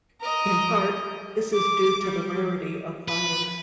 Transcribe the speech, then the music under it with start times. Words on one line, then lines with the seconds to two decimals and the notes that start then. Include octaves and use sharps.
In part, this is due to the rarity of fire.
0.21 A#4 D#5
1.53 D6
2.03 G3
3.08 B4